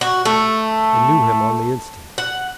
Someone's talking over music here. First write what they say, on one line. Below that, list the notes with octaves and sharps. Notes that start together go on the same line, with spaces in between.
I knew him on the instant.
F#4
A3
F#5